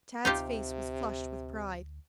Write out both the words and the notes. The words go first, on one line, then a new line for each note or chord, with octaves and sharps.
Tad's face was flushed with pride.
D2 C3 D#4 F4 G4